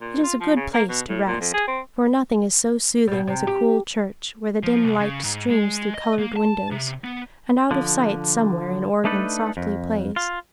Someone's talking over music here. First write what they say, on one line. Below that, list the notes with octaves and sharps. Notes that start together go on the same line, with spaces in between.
It is a good place to rest: for nothing is so soothing as a cool church where the dim light streams through colored windows, and out of sight somewhere an organ softly plays.
A#2
F4
F3
C#3
A#3
B2
A2
A#2
F2
G#4
C4
B2 G3
C3
G4
F3
C2
C#3
G#2
G#3
D#5
A#3
A5
C3
B3
D3 F3
A3 D4 D#4 A4 B4
F2
F4